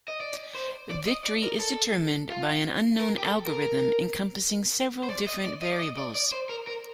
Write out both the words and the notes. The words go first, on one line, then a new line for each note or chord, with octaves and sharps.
Victory is determined by an unknown algorithm encompassing several different variables.
D#5
D5
C5
D5
D#5
D5
A#4
A4
F4
A#4
G4
A4
A#4
C5
D5
D#5
D5
D#5
D5
D#5
D5
D5
C5
A#4
A#4